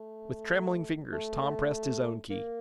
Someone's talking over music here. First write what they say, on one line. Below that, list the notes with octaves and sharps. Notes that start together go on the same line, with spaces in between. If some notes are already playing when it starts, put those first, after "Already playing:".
With trembling fingers Tom pressed his own key.
Already playing: A3
A3
A3
A#3